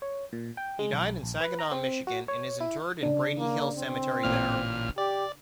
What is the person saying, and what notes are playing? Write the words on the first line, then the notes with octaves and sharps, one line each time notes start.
He died in Saginaw, Michigan, and is interred in Brady Hill Cemetery there.
C#5
A#2
G5
G#3
B1
A#1
B4
A#5
C4
F#4
C#5
E4
C#3 D4
A#3
C4
A1 A#2 F6
G4 D5